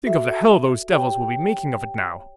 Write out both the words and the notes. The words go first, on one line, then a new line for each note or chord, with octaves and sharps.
Think of the hell those devils will be making of it now!
F#4 A4 E5
G4 C#5 G5